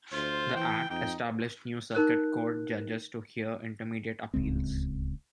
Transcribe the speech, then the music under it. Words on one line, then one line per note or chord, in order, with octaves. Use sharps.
The Act established new circuit court judges to hear intermediate appeals.
D2 F4 C5
E3 G5
F2 D#4 G5
D#4 A#4 F#6
D1 C#2 G#3 C4